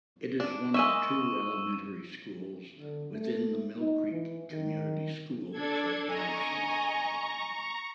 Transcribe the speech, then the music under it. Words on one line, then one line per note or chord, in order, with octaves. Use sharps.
It is one of two elementary schools within the Mill Creek Community School Corporation.
D4
G#3 A#3 E5 C#6 E6 D#7
D3
A3
D#4
E3
D#3
D4 A4 G#6
D#5 G#5 A#5 C#6